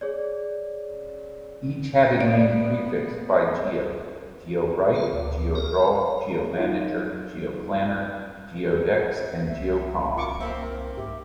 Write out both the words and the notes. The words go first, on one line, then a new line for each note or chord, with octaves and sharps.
Each had a name prefixed by "Geo": GeoWrite, GeoDraw; GeoManager; GeoPlanner; GeoDex, and GeoComm.
G#4 C#5 D5
B3 D5
F4
D2
A#4
F#3 D#4 F4
C2 E5
F4 A#4 C#6 D6
D#3 A#3 C4 E5
G#2 G4 E5